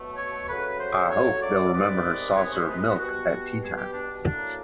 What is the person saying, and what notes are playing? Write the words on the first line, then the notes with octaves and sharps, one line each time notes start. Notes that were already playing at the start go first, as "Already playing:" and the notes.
I hope they’ll remember her saucer of milk at tea-time.
Already playing: B2 F#3 A3
C#5
C#3 F#3 A3 B4
C5
C#5
D5
C3 D#3 G#3 B3 D5
C#5
C5
B4
F#4
B2 G3 B3 F#4
G#4
G4
D4
A2 F#3 A#3 D4